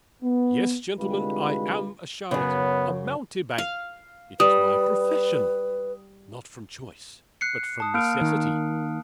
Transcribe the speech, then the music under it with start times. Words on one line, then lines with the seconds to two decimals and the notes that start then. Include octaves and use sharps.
Yes, gentlemen, I am a charlatan--a mountebank; it is my profession, not from choice, but from necessity.
0.23 B3
0.98 C2 D3 G#3 F4 G4 B4
2.31 F#2 C#3 B3
3.58 F5
4.40 G3 B4 D#6
7.41 F#6 C7 C#7
7.80 A5 D#6
7.94 A#3 F6 D7
8.21 D#3